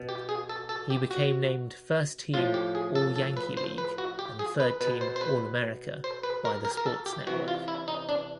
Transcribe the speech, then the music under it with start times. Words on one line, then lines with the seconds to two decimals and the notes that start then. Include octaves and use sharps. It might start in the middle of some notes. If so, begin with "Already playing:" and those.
He became named first-team All-Yankee League and third-team All-America by The Sports Network.
Already playing: B2
0.09 G4
0.29 G#4
0.49 A4
0.69 A4
0.90 G4
1.11 F#4
2.34 A2 F3 F4
2.54 G4
2.75 G#4
2.95 A4
3.16 A4
3.37 B4
3.57 C5
3.78 B4
3.98 F#4
4.19 G4
4.39 G#4
4.60 B4
4.81 B2 B4
5.01 C5
5.16 C5
5.21 B4
6.04 C5
6.23 B4
6.45 A#4
6.65 A#4
6.77 A#4
6.86 A4
7.06 G4
7.27 C3 E3 F#4
7.48 F4
7.68 E4
7.88 D#4
8.09 D4